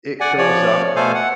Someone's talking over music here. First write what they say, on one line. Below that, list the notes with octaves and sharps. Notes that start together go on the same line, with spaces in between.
It goes up
D5 F#5 G#5
F3 C#5 D5
B2 A3 A4 C5 F5 G#5
F#5